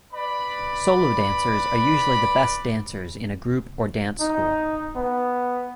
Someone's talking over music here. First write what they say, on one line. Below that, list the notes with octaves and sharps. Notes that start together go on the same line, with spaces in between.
Solo dancers are usually the best dancers in a group or dance school.
B4 D5 B5
D#4
B3